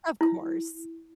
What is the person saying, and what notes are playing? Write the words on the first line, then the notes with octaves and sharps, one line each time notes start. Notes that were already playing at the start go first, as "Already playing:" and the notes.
Of course.
E4